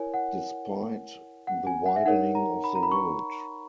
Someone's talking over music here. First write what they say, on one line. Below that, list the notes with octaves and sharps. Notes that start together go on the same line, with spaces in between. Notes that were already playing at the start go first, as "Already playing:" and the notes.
Despite the widening of the road.
Already playing: E4 A#4 C#5 G#5
F#5
F#5
G#5
F#5
E5
D#4 A#4 C#5 F#5
A#5
B5
A#5
B5
C#6